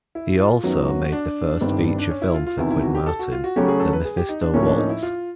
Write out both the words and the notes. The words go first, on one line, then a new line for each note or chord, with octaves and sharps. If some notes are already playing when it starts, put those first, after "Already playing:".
He also made the first feature film for Quinn Martin, "The Mephisto Waltz".
E4
F4
F#2 D#3 F#3 B3 F#4
F#4
D4
G1 G2 D#3 G3 C4
D4
C#4
E4
F4
F4
E2 C3 D#3 E4
E4
F#4
G4
A4
F#4
F4
F#4
C#3 F#3 A3 C#4 G4
G#4
A4
B4
G#4
G4
D#4
D4
A2 F3 A#3 C#4
D4
D#4
E4
F4